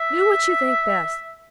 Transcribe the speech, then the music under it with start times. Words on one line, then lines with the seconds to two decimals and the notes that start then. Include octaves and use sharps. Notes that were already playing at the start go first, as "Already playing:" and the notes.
Do what you think best.
Already playing: E5